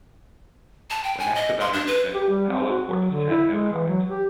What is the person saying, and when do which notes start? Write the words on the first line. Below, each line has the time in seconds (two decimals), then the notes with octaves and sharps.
When asked about her dismissal, Paulo Portas had no comment.
0.90 A5
1.04 G5
1.19 G#5
1.35 D#5
1.60 C6
1.73 D4
1.87 B4
2.15 G4
2.30 G3
2.50 C4
2.69 F#4
2.89 F#3
3.12 D3
3.30 E4
3.50 G#3
3.73 E3
3.88 F#3
4.09 G4